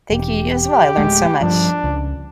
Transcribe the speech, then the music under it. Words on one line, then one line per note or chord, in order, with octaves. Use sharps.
Thank you, you as well, I learned so much.
E1 G4
G4
D1 D#2 G#3
G2 F3 D4
C#2